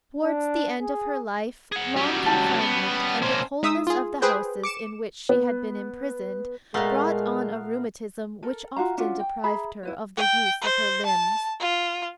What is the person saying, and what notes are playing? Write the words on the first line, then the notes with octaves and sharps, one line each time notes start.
Towards the end of her life, long confinement, and the coldness of the houses in which she had been imprisoned, brought on a rheumatism which often deprived her of the use of her limbs.
D4
G#4
G#4 F#5
F#3 G3 C#4 G4
A5
B3
B2 A#3 C#4 C5
G#3 D#4 E5 D#6 E6
F4 G#4
G#4 B4 C5 G5
D6 C#7 E7
B3
A#2 G#3 A3 B3 A#4 F5
A4 A#4
F4 F#4 F5 A#5
C#4 D4 F4 F#4
G5
G#4 E5 A#5 B5
E4 B4 C#5
G5
C5
A5
F4